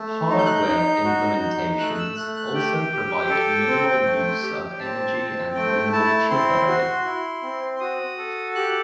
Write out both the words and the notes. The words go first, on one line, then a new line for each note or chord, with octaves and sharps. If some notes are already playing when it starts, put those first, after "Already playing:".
Hardware implementations also provide minimal use of energy and minimal chip area.
Already playing: A3
D#4
G6
F#6
G6
D#4
F#4
D#4
A3 F#6
F#6
E6
A3 F#6
F#6
G4 G5
G4
A4
C4
A3
G4
G5
C4 A5
C4
A3 G5
E4 A5
C4 C6
F#4
E4
C4
C6
F#4 D#6
A4
G4 F#6